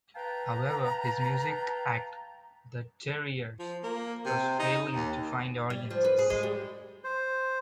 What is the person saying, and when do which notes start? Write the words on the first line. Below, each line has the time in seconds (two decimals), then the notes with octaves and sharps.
However, his music act, The Terriers, was failing to find audiences.
0.15 B4 F5 G5 A5 A#5
3.60 F3
3.84 A#3
4.26 C3
4.59 D#4
4.95 D#2
5.70 G3
5.91 F3
6.05 B4
6.19 G#4
6.30 G#3
6.43 G3
7.04 C5